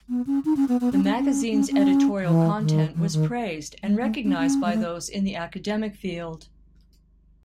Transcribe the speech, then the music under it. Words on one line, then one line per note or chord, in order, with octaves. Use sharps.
The magazine's editorial content was praised and recognized by those in the academic field.
B3
C#4
D#4
C#4
B3
B3
C#4
C#4
C#4
C#4
C#4
E3
D#3
E3
D#3
G#3
A3
C#4
C#4
G#3
A3